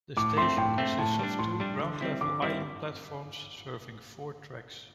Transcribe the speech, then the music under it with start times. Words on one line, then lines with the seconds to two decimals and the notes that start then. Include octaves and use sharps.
The station consists of two ground-level island platforms serving four tracks.
0.17 A2 D6
0.37 A3 C4 C6
0.57 A2 G5
0.78 A3 C4
0.99 A2 A5
1.19 G3 D4
1.39 A2 C6
1.60 G3 D4
1.80 D3
2.01 G3 C4 E4
2.21 D3 D6
2.42 G3 C4 E4